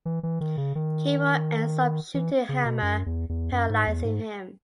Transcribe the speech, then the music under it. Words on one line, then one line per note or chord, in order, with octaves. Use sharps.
Cable ends up shooting Hammer, paralyzing him.
E3
E3
D#3
C#3
D#3
E3
C#3
B2
F#2
E2
E2
F#2
G#2
E2
G#2